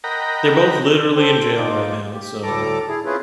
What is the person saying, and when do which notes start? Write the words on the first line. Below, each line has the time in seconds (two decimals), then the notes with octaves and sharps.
they're both literally in jail right now, so,
0.04 A#4 D#5 F#5 G5 A#5 B5
1.16 A4 C5 G5
1.57 G#2 D#4 F4 D6
2.13 G4
2.43 D2 A2 G3 A4 A#5 D6
2.88 E4 G#4
3.05 C4 C#4 E4 F4 G#4 B4